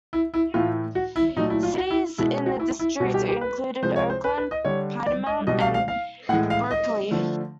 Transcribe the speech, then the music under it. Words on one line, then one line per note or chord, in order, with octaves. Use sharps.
Cities in the district included Oakland, Piedmont and Berkeley.
E4
E4
A2 E3 A3 F4
F#4
E4
A#2 F#3 A3 D#4
E4
F4
F#4
E4
B2 G#3 E4
F#4
E4
E4
B2 G3 F#4
G4
G4
B4
C3 F3 G#3 C5
C#5
C5
B4
B4
D#5
D3 G3 C#5
D5
D#5
B2 G3 D#5
F5
F5
F5
A2 E3 G#3 F#5
F5
D#5
D3 F3 A3